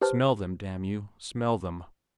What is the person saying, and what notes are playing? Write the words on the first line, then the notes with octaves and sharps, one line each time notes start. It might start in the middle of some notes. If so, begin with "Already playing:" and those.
Smell them, damn you, smell them.
G4 B4 C5 A5 F6